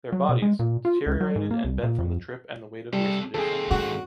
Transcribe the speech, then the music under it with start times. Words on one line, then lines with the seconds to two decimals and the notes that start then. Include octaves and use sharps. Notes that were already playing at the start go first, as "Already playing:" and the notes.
Their bodies, deteriorated and bent from the trip and the weight of the expedition.
0.12 F#3
0.29 B2
0.42 G#3
0.59 A#2
0.85 F4
1.06 C#2
1.21 F#3
1.36 G#2
1.51 A#3
1.64 C2
1.83 A#2
1.99 F2
2.93 C3 G3 A4
3.34 D#2 C4 G#4 A4
3.71 G#2 F#4